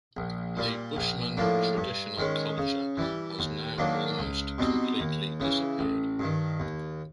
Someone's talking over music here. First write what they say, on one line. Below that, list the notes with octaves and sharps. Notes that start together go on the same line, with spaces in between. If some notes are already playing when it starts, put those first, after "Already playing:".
The Bushmen traditional culture has now almost completely disappeared.
A#1
A#2 G3
A#1
A2 F3 A#3 D4
G2
D#3 G#3 C#4
C#3
E3 G3
D#2
D#3 F#3 A#3 D4
C#2
B2 G3 C4 D#4
D#2
C#3 E3
A1
G2 D#3
D#2